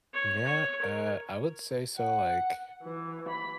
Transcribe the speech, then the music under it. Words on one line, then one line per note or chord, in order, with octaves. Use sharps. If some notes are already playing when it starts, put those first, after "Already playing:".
Yeah, uh, I would say so, like,
C#5
C#5
A#4
F#5
E3
B5